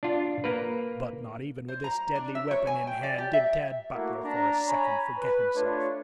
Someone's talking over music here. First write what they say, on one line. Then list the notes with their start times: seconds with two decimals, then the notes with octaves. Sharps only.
But not even with this deadly weapon in hand did Tad Butler for a second forget himself.
0.03 D4 F4
0.44 A#3 A#4 B4
1.68 C5
1.84 A#5
2.15 D4
2.35 E5
2.51 C#5
2.67 G#5
2.87 G5
3.03 D5
3.18 G4
3.33 E5
3.93 A3 A#3 E4 F#4
4.23 D4 A#5
4.67 C#5 G#5 A#5 B5
5.18 B4
5.55 A3 D4 F4 C#5